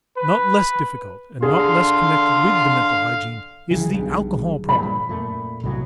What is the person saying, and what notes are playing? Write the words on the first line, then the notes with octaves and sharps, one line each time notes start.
Not less difficult and not less connected with the mental hygiene is the alcohol problem.
B4
D3 G#4 F5 C6
C#2 D3 E3 F#3 G#4
B1 G2
G2 A#2 F3 B5
F#2 A#2 A3
B1 A2 C3 F#3